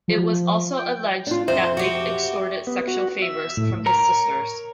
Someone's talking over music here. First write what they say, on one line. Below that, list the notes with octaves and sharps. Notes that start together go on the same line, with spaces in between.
It was also alleged that Lake extorted sexual favors from his sisters.
F3
G5
D4 F4
F2 C5 E5
F#4 G4
B3
F#4
E5
A2
A#4 C#5 A#5